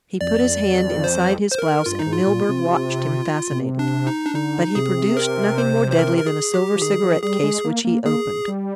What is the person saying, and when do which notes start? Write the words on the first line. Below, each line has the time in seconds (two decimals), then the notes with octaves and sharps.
He put his hand inside his blouse and Milburgh watched him fascinated, but he produced nothing more deadly than a silver cigarette-case, which he opened.
0.21 F2 D5
1.04 C5
1.52 C5
1.58 A#4
1.86 G2 F4
1.99 D#4
2.06 G#2
2.12 F4
2.27 A#2
2.49 C3
3.51 C3
3.79 D4
4.07 D#4
4.26 D4
4.34 D3 D#4
4.75 C3 G#4
5.17 A#4
5.58 C5
5.91 C5
5.99 A#4
6.17 A#4
6.27 G#4
6.54 G4
6.75 F3
6.81 D#3 G#4
7.03 F3
7.23 G3 G#4
7.43 G#3
7.64 A#3
7.85 A#3
8.05 A#3 G#4
8.48 G3